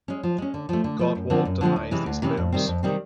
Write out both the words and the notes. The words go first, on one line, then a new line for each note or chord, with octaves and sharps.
Gottwald denies these claims.
G#3 C#4
F3
G#3 C#4
D3
F3 A3
D3
F3 A3
F#2
D3 F3 G#3 C4
F#2
D3 F3 G#3 C4
D2
C3 E3 G#3 C#4
D2
C3 E3 G#3 C#4
F2
C3 D#3 G3 C4
F2
C3 D#3 G3 C4